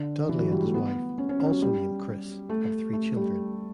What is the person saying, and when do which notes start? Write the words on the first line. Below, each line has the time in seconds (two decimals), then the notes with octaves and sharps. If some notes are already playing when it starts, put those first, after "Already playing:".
Dudley and his wife, also named Chris, have three children.
Already playing: D3
0.29 E3
0.40 F#3
0.52 G3
0.62 A3
0.74 B3
1.18 C#4
1.29 C#4
1.40 C#4
1.50 F#3
1.62 G3
2.49 A3
2.93 A3
3.16 G3